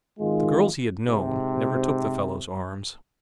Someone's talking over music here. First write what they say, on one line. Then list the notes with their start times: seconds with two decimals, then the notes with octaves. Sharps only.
The girls he had known never took the fellows' arms.
0.19 G#1 D#3 G#3 F4
1.05 G#2 C3